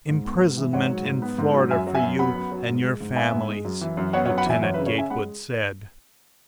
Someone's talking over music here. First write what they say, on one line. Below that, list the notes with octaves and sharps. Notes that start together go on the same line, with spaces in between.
"Imprisonment in Florida for you and your families," Lieutenant Gatewood said.
G#2
B3
G#2
E3
G#2 C#5 F#5
F#3
G#2
B3
G#2
F#3
F#2 E5 G#5
F#3
E5 G#5
F#2
B3 F#5 B5
F#2
F#3
G#2
G#3
G#2
B3 E5 G#5
G#2
G#3
F#2
E3
F#2
B3 C#5 F#5
C#5 F#5
F#2
F#5 B5
E3 E5 G#5
F#2 C#5 F#5
B4 E5
C#3
C#5
C#4 E5 G#5
G#3 F#5 B5